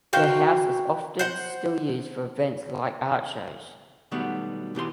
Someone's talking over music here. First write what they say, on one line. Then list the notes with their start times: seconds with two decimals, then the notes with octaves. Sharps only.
The house is often still used for events like Art Shows.
0.13 F#4 C5 F5 G5
1.19 C5 F#5
4.11 B2 D#3 F#3 G3 A3 B3
4.75 B2 E3 G4 C6